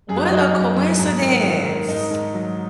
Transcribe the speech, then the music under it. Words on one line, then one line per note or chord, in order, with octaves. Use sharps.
What a coincidence.
F#2 G#4
F#4
D#4
F#3 F#4
F#2
F#3
G#2
D#3
D#3
D#3
G#2 D#4
G#2
F#3